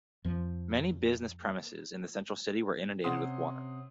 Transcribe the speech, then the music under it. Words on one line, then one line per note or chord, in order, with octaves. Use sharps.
Many business premises in the central city were inundated with water.
F2 F3
C3 C#4 F#5 C6 D#6